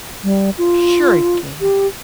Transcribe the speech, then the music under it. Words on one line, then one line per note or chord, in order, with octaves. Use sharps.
Sure it can.
G3
F4
G4